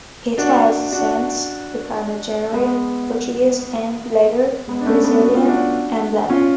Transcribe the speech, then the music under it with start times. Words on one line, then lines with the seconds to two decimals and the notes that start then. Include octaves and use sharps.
It has since become a generic Portuguese and, later, Brazilian emblem.
0.38 D4 F#4
0.92 D4 F#4
2.53 G#3 B3
4.68 G#3 B3
4.81 D4
4.86 A3 C#4
5.04 B3 D4
5.21 F#4
5.34 F4
5.48 D4 F#4
6.29 C#4 F4